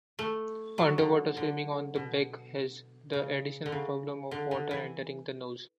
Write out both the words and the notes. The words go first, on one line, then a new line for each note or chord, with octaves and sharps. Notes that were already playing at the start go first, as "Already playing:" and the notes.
Underwater swimming on the back has the additional problem of water entering the nose.
A3
F#3
D3
D3
B2
C#3
D3
C#3
D3
D3
E3